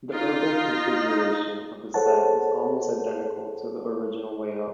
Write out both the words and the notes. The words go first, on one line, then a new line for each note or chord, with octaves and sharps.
The urban configuration of the site is almost identical to the original layout.
D#4 F4
G#4 A4 C5 C#5 F#5 A5